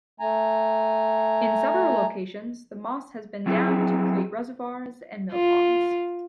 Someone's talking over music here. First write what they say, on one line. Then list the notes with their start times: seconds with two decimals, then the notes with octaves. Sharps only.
In several locations, The Moss has been dammed to create reservoirs and mill ponds.
0.20 A3 G#5 A#5
3.46 F#3 C4 E4 G#4
5.33 F4